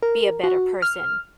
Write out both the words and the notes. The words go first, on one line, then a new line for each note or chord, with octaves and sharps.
be a better person.
A#4
F#4
F6